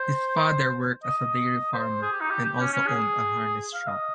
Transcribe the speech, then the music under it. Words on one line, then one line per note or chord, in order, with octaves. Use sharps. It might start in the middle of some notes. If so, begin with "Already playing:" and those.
His father worked as a dairy farmer and also owned a harness shop.
Already playing: C5
D#5
D#5
C5
G#4
G4
D#4
G4
G4
C#4
C#4
G#4
F5
D#5